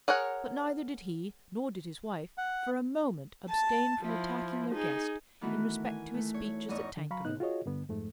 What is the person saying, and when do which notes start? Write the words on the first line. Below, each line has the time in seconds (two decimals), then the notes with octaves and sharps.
But neither did he nor did his wife for a moment abstain from attacking their guest in respect to his speeches at Tankerville.
0.08 G#4 A#4 C#5 F#5
2.38 F#5
3.49 A5
4.02 F3 E4
4.71 D#4 G#4
5.41 D#3 E3 A3 B3 D#4 F#4
5.85 G#5
6.14 A3
6.34 C#5
6.68 E2 G#2 D#4 D#5 C#6
6.97 D3
7.11 F#3 F5 A#5 B5 C#6
7.25 A2 B3 D#4 F#6
7.40 F4 F#4 G#4 C#5 D#5
7.66 G2 D3 B3
7.89 F2 G#2 A3